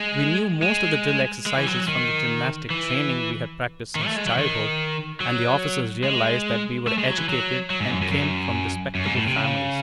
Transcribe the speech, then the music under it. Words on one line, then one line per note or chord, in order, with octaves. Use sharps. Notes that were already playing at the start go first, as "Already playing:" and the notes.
We knew most of the drill-exercises from the gymnastic training we had practiced since childhood, and the officers realized that we were educated and came from respectable families.
Already playing: G#3
G#3
G#3
E3
F#3
D#3
E3
D#3
A3
G#3
F#3
D#3
F#3
G#3
A3
G#3
F#3
E3
F#3
F#3
G#2
F#2
F#2
F#2
F#2
G#2
A2
C3
C#3